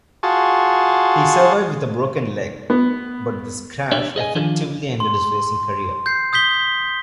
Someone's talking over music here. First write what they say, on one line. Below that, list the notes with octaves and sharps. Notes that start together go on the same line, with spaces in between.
He survived with a broken leg, but this crash effectively ended his racing career.
F4 F#4 G#4 A5
B3
D4 G4 C#5 D5 E5
G#4 D#5 E5 G#5
D#3 F3 D4 F4
C6
G6 C7
D#6 G6 B6 G7